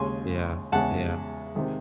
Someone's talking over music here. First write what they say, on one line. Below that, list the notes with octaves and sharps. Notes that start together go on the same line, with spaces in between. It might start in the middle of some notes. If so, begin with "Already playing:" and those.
Yeah. Yeah.
Already playing: D#2 C#3 G#3 G#5 C6
E2 C#3 G#3 F#5 A5
C3 D#3 G#3